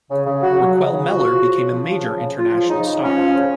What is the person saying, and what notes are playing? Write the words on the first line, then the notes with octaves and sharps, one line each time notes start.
Raquel Meller became a major international star.
C#3
C#3
F#3 F#4
F#3
C#3
C#3
F3 F#4
F3
C#3
C#3
F3
F3
C#3
C#3
F3 F4
F3
C#3 D#4
C#3
F3 C#4
F3
C#3